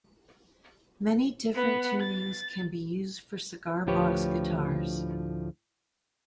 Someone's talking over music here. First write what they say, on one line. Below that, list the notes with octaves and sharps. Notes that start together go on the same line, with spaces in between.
Many different tunings can be used for cigar box guitars.
B3 F#5
A6
D2 A2 F3 G4 B4 C#5